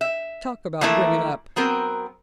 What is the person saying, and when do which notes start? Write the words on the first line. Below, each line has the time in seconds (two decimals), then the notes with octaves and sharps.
Talk about bringin' up.
0.01 E5
0.81 E3 F3 A3 A#3 E4 A#4
1.56 F#3 B3 C4 A#4